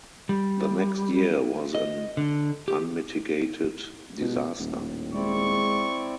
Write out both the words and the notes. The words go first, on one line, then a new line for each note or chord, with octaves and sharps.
The next year was an unmitigated disaster.
G3
D#5
D3
G4
B2
D#1 A2
G#3 C4 E4 D5 C#6